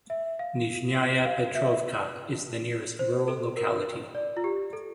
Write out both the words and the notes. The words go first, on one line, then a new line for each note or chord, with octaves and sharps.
Nizhnyaya Petrovka is the nearest rural locality.
E5
F5
F5
E5
C5
A4
A#4
D5
F4
G4
A4